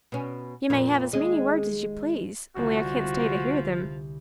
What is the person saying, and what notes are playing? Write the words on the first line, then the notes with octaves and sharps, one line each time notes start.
'You may have as many words as you please,--only I can't stay to hear them.'
B2 C#4
F2 A#2 F3
D#2 G#3 D#5
C2 D3 F3 F#4